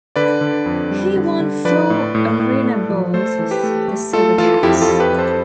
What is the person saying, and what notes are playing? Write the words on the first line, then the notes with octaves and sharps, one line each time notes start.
He won four ArenaBowls with the Sabercats.
D3 B4 D5
D3
F2
G3
D3
D3
F3 B4 D5
A2
A2
A2
A3
F3
A3 A4 C5
E3
G4 B4
A3
A3
A3 F4 A4
E3 F4 A4
F2 E4 G4
G4
F4 A4
F2
G4 B4
F2
A4 C5